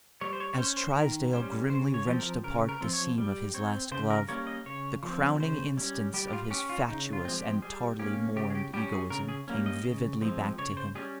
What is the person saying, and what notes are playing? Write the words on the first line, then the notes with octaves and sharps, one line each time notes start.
As Trysdale grimly wrenched apart the seam of his last glove, the crowning instance of his fatuous and tardily mourned egoism came vividly back to him.
G3 C#5
C5
C#5
C#5
C#4 C5
C5
D#3 A#4
G3 C#4 C5
C#3 C5
C#5
F3 C4
A#4
C#3 A#4
A#4
F3 C4
C#5
G3
C4 C#5
C#3 C5
A#4
G3 A#3 C#4 C#5
D#5
C#3 C#5
F3 C4
C#3 C5
G3 C#4
G3 G4
G4
F4
C#4 G4
F4
C#3 D#4
F4
F3 G#3 C4
G4
G3 G#4
A#3 C#4 G4
C#3 G4
G#4
G4
G3 C#4 G4
G#4
C#3 A#4
G#4
G3 A#3 C#4
D#5
C#3
F3 G#3 C4
C#3 C#5
C5
G3 C#4 G#4